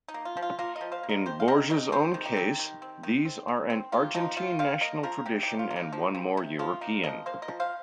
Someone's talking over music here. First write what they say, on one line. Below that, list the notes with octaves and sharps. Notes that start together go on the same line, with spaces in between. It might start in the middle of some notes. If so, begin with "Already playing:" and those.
In Borges's own case, these are an Argentine national tradition and one more European.
D#4
A#3
F4
F3
F4
A#3 F4 A#4
A#4 D#5
F3
C5 F5
A#3
A#4 D#5
D#3 G4 C5
F5
C4 A#4 D#5
D#3 A#4 D#5
C4 G4 C5
D#3
D#4 G4
C4
D#3
C4
D#3
C4
D#3
C4
A#3 F4
F3 D#4
C3 F4
C3 C5 F5
A#3 A#4 D#5
F3 F4 A#4
C3 D#4 G4
C3 D#4 G4
F4
A#3
D#4
F3
C3
C3
F3 F4
A#3 D#4
F3 A#4 D#5
A#3 C5 F5
A#4 D#5
F3
C5 F5